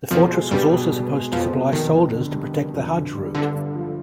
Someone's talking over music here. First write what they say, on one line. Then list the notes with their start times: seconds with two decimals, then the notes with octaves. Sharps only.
The fortress was also supposed to supply soldiers to protect the hajj route.
0.11 F2 B2 F3
0.31 G#3
0.51 G2 G3 B3
0.72 B2
0.92 B2
1.12 G#3
1.32 F2 F3 B3
1.53 B2
1.73 F1 D#3
1.93 F2
2.13 D3
2.33 G3
2.54 F1
2.74 F2
2.94 D3
3.14 G3
3.35 G1 D3
3.55 G2
3.75 F3